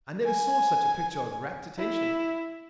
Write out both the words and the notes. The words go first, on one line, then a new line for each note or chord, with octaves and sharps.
I never saw such a picture of rapt attention.
G#5
E4